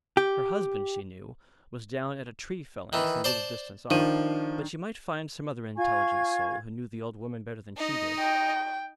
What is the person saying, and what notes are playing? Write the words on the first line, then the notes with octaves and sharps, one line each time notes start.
Her husband, she knew, was down at a tree-felling some little distance off, but she might find some other intelligent soul who knew the old woman better than she did.
G4
D#3 E3
C5 D5 A5
D#3 F3 D4 D#7
F4 G#5 C#6 G#6
D#4 D#5
G5